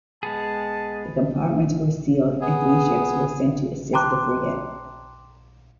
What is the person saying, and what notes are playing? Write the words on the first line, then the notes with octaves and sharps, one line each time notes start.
The compartments were sealed and three ships were sent to assist the frigate.
G#3 B3 G#4 A5
B3 G#4
G5 A5 A#5 C6 D6 F#6